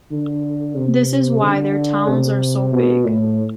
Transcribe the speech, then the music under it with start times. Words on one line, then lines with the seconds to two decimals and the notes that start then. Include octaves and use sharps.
This is why their towns are so big.
0.12 D3
0.76 C3
1.42 D3
2.07 C3
2.73 B2
3.05 A2